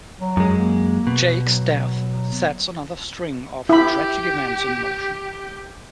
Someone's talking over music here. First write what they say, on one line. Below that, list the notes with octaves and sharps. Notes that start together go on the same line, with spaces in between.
Jake's death sets another string of tragic events in motion.
F#3
F#2 G#3
A#3
B2
F#3
E4 G4 B5